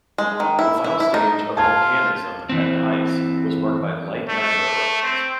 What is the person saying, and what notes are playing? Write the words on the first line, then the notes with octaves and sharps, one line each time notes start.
The final stage of volcanism at Heise was marked by "light" magma eruptions.
G#3
D#3
E4
E4
E4
D#4
F4 A5 G#6
E3 C4
A3
C4